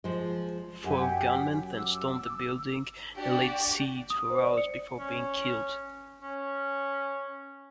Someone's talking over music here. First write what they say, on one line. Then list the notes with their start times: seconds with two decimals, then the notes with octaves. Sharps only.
Four gunmen then stormed the building and laid siege for hours before being killed.
0.04 F3 G#3
0.84 F#2 G4 F#5 G#5
1.73 D6 E6
3.15 D4 F#4 G4 D5
4.10 D#6
4.30 C5
4.43 D5
4.57 C#7
4.99 C#4
6.22 C#4